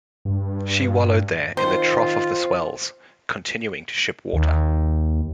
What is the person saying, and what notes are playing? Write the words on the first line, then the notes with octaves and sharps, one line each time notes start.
She wallowed there in the trough of the swells, continuing to ship water.
G2
D#3 C4 F4 C5
D#2